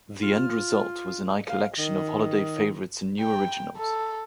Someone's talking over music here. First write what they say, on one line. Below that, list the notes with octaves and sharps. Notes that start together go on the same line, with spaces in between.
The end result was a lcollection of holiday favorites and new originals.
F4
F5
D#3
G5
A4